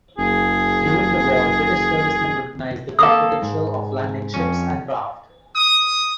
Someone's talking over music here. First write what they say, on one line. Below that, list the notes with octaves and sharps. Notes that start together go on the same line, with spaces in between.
During the War British servicemen recognised the great potential of landing ships and craft.
F#1 G#4
A#3 A4 F5 D6 D#6
G#2
F2 C#4
D#6